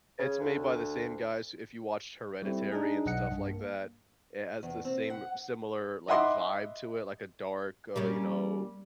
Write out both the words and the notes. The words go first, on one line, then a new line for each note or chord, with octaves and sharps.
It's made by the same guys- if you watched Hereditary and stuff like that- it has the same similar, like, vibe to it, like a dark, uh, you know,
C#3
D2
G3 A3 C4 E4
D4 D#4 G#4
B1 D#5 F#5 C#7
G2
A#3
E2
C4
F#5
D#5 E5 F#5 B5 C6 D6
G3 A#3 C#4